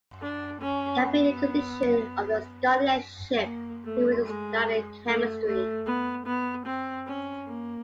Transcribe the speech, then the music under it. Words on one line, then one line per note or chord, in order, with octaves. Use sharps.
It had been a condition of the scholarship that he would study chemistry.
D4
C#4
B3
A#3
A3
G#3
A3
A3
B3
B3
C4
C#4
A#3